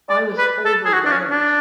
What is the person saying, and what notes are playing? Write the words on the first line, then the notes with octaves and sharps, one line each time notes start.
I was overwhelmed.
D5
B4
A4
G#4
F#4
D4
C#4
D4